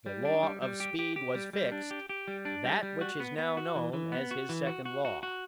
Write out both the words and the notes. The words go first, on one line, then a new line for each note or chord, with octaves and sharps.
The law of speed was fixed: that which is now known as his second law.
G3
D4
G3
G3
G4
G4
G4
G3
G3
D4
G4
G4
G3
D4
G3
G3
F#4
B3
B3
F#4
E3
E3
B3
F#4
E3
F#4
F#4
F#4
F#4